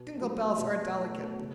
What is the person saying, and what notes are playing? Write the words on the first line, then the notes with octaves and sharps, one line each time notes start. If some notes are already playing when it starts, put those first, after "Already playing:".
Dingle-bells are delicate.
Already playing: B2
F#3 A3
B2
F#3 A3
C#3